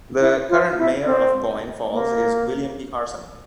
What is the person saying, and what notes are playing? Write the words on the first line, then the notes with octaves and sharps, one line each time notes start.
The current Mayor of Boyne Falls is William P. Carson.
E4
F4
E4
C4
A#3